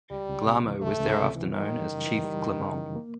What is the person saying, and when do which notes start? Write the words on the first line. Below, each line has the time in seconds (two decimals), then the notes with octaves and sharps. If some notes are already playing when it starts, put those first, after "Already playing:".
Glahmo was thereafter known as Chief Clermont.
0.11 C#2 G3
0.29 C#2
0.46 C3
0.64 E3
0.82 C#2 A3
1.00 C#2
1.18 C3
1.36 E3
1.53 D#3 G3
1.71 F#2
1.89 C#3
2.06 E3
2.24 G3
2.42 F#2
2.60 C#3
2.77 E3
2.96 A#3